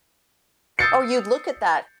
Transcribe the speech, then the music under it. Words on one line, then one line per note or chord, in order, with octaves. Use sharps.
or you'd look at that,
D#6 E6 G6 A6 C7 C#7